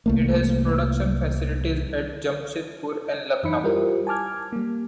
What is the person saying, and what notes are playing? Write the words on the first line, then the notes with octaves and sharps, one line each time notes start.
It has production facilities at Jamshedpur and Lucknow.
C2 A3 A#3
F#2 E3 D#4 B5 C#7
G3 E4 F4 G4 A#4 C5
G#5 A5 D6 F6 G#6
G3 A#3